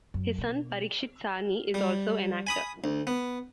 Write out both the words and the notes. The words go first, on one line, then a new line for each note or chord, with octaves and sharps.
His son Parikshit Sahni is also an actor.
F#2
B2
G3
G#5 B5 D#6
D2
B3